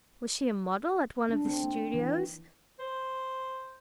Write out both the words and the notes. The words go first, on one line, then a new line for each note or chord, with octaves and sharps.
Was she a model at one of the studios?
D4
C4
A#3
E3
C5